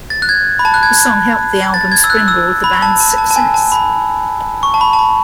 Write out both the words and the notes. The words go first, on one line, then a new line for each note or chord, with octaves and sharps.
The song helped the album springboard the band's success.
A6
F#6
G#6
B5
A5
F#6
G#6
A6
G#6
E6
F#6
E6
B5
A5
A5
A5
A5
G#5
A5
B5
C#6
A5
B5
A5
B5